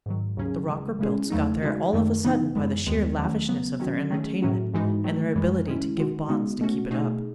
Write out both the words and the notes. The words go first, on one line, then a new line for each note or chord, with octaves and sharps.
The Rockerbilts got there all of a sudden by the sheer lavishness of their entertainment and their ability to give bonds to keep it up.
G#2 D#3 F#3
D#2 C#3 F#3 C#4 G#4
C#3 E3 G#3
C#3 G#3 C#4 E4 G#4
E2 C#3 F#3 A3 D#4
C#3 G#3 D#4 F#4
F#2 D#3 A3
C#3 E3 B3 D#4
F#2 E3 G#3
D#2 D#3 G#3 B3
E2 D#3 F#3 A3 C#4
C#3 F#3 B3
D#3 F#3 C#4 F#4
D#3 F#3 A3 C#4 G#4
A2 F#3 C#4 F#4
G#2 E3 G#3 D#4 F#4
D#3 F#3 A3
F#2 E3 G#3
D#3 G#3 C#4 E4
D#3 G#3 D#4 F#4
C#3 G#3 B3 D#4 F#4
B2 A3 C#4 F#4
B2 A3 D#4 G#4